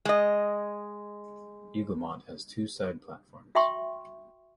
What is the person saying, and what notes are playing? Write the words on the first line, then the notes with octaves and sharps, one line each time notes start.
Eaglemont has two side platforms.
G#3 D#5
F#4 E5 G5 C6 C#6